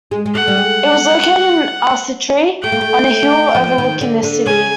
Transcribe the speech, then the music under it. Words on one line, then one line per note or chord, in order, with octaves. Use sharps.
It was located in Arcetri, on a hill overlooking the city.
G#3
G#3
A3 F#5
G3
G#3
A3 G5
A#3
A3
F3
D#3
D3
D3
C#3 G#5